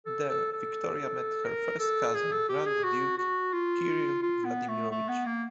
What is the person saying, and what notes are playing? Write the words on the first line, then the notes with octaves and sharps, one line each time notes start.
There Victoria met her first cousin Grand Duke Kirill Vladimirovich.
A4
A4
A4
A#4
A4
G#4
A4
G4
G#4
F#4
F#4
F4
F4
B3
A3
A3
B3
A#3